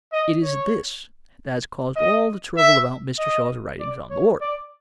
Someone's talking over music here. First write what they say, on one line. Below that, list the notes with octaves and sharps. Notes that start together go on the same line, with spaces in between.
It is this that has caused all the trouble about Mr. Shaw's writings on the war.
D#5
C#5
D#5
E5
D#5
D5
C#5
D5